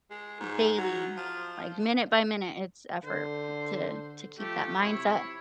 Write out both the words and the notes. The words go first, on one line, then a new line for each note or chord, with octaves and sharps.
daily, like, minute by minute, it's effort to to keep that mindset.
G#3
G#2
F#3
F3
D3 C5
F3 A3 G4
C3 E4 C#5